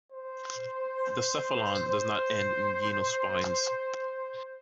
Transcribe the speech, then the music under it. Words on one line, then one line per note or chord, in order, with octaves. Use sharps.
The cephalon does not end in genal spines.
C5
C5